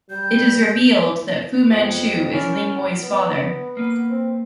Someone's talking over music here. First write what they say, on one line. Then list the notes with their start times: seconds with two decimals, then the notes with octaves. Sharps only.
It is revealed that Fu Manchu is Ling Moy's father.
0.10 G3 G6
1.70 F2 B3 G#4 D#5
2.33 C#4 E4 A#4 D5
3.03 B3
3.77 A#3 B4
4.10 C4